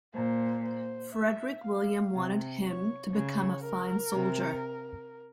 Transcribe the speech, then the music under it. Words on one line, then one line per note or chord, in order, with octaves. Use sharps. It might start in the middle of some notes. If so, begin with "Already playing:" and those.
Frederick William wanted him to become a fine soldier.
A#2 C5
C5
E5
F5
C3
C#5
C#3 C#5
A#4
C3